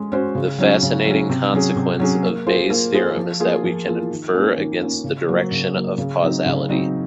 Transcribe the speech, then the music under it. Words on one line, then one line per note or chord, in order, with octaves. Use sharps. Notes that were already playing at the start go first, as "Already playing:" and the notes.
The fascinating consequence of Bayes' theorem is that we can infer against the direction of causality.
Already playing: G#3 C#4
C#4 F#4 C5
C#3
F#3 C#4
C#3
F#3 C#4
C3
F#3 C#4 G#4
C3
F#3 C#4 G#4
A#3
F4 G#4 C5
A#3
F4 G#4 C5
F3
A#3 F4 G#4
F3
A#3 F4 G#4
D#3
A#3 C#4 F4
D#3
A#3 C#4 F4
C#3
F#3 A#3
C#3
F#3 A#3
C#3
F#3 C4 D#4
C#3
F#3 C4 D#4